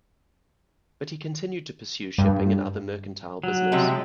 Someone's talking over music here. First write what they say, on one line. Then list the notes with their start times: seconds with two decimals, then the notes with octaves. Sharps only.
But he continued to pursue shipping and other mercantile business.
2.18 G2
3.43 F#3
3.72 C3 F3 G#3